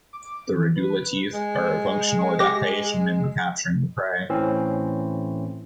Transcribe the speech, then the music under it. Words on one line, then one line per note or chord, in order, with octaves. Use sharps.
The radula teeth are a functional adaption in the capturing of prey.
D6
E3
B4
G#3
G4 A#6
A2 E3 C4 C#4